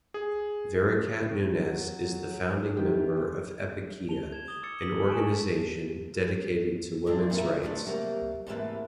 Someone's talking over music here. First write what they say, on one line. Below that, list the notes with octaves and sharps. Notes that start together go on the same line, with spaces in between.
Vericat Nunez is the founding member of Epikeia, an organization dedicated to women's rights.
G#4
F#3
D#3 E3 G4
A5 F7 G7
G#6 E7
D#6 G7
D6 E6 A6 C#7
D#6 E6 B6 F#7
G#5 A5 C#6 D7 E7
G2 E3 C4 D4
E2 A#2 C#3 A3 A#4 E5
D3 F#3 A3 D4
C3 F#3 G3 A#3
E2 G#2 C3 A3 A#3 B4